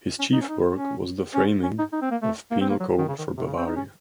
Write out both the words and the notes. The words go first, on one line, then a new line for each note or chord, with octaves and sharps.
His chief work was the framing of a penal code for Bavaria.
C#4
D#4
C#4
D#4
C#4
C#4
C#4
D#4
D#4
C4
A#3
A3
A#3
C4
A#3
F#3
D#3
C#3
D#3
C3
C#3
C4
D#4
C#4